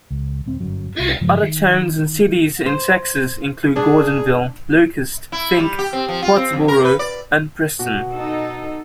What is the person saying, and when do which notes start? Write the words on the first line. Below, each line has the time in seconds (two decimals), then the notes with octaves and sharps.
Other towns and cities in Texas include Gordonville, Locust, Fink, Pottsboro, and Preston.
0.11 C#2
0.46 D#1 C4
0.60 G1 F#2 F#3
1.00 C2
1.21 G2 C#3 F3 G#3
1.41 D#3
2.66 C5
3.76 D4 G#4
5.32 E4
5.58 G3
5.79 G4
5.93 C4
6.09 F3
6.22 F4
6.36 C4
6.53 F2
6.68 A#4
6.85 B4
6.99 D5
7.79 B2 F#4
8.13 D#4 A4